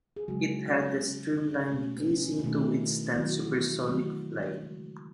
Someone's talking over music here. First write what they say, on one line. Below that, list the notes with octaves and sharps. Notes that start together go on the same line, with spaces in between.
It had a streamlined casing to withstand supersonic flight.
G#4
C#3 F#3 G#3 F#4
C#4
B3
C#3 G#3 C#4
B2 A3 C#4
B3
C#4
E4
B2 D#3 A3 D#4
D#3 F#3 A3 E4
F#4
E3 E4
D#3 F#3 A3 F#4
C#3 G#3